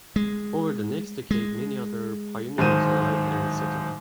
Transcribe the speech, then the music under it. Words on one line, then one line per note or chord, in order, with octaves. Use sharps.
Over the next decade many other pioneers arrived and settled.
G#3
G#3
D1 G#2 D#3 C5 D#7